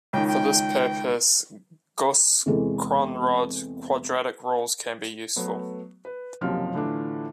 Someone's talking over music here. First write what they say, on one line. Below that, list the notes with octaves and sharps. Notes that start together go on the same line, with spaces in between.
For this purpose, Gauss-Kronrod quadrature rules can be useful.
C#2 D#3 G5
G5
E2 C3 E3 G#3 A4
F#3 A3 B3
B4
F#1 D#2 C3 F3 F#3 F6
A2 D3 E3 A3 D4 F4